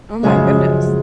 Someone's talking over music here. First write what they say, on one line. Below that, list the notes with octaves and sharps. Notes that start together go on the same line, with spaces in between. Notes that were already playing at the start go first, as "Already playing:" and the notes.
Oh my goodness.
F#2 C#3 F3 G#3